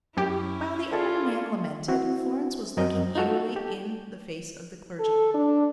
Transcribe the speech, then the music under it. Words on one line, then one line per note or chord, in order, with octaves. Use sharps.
While the old man lamented, Florence was looking eagerly in the face of the clergyman.
F#2 C#4 E4 G4
F4 G#4 A4 D5
C4 E4 F#4
F#2 F#3 C4 A#4 D#5
D#4 F4 F#4 A4
G4 A4
A4
D4